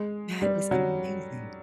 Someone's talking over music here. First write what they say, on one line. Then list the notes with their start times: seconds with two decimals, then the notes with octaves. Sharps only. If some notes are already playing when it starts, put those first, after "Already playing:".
That is amazing.
Already playing: G#3
0.42 G3
0.71 F#3